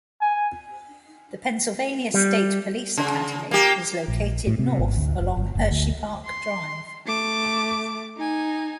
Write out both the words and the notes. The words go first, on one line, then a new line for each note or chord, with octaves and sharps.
The Pennsylvania State Police Academy is located north along Hersheypark Drive.
G#5
G3
C#3
A#3 G4
A#1
A2
C3
G#1
D2
F1
G1
F#1
D2
C6
A3 D6
D#4 G#5